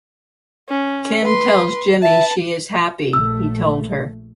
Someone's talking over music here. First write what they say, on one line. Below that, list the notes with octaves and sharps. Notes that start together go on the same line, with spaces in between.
Kim tells Jimmy she is happy he told her.
C#4
B4 C6
B4 E5 A5
A#1 A3 E6